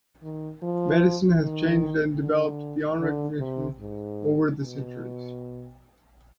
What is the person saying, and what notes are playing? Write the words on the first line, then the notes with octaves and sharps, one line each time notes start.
Medicine has changed and developed beyond recognition over the centuries.
D#3
F3
D#3
D3
D3
C3
G#2
B2